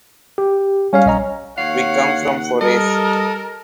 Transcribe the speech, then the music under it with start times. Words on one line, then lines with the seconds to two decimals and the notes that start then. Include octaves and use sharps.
We come from Forès.
0.38 G4
0.93 G3 C#4 C#5 F5
1.06 B1 D#5 A#5
1.58 D#2 C#5 F5 F#5
2.61 G3 A4 A#4 D#5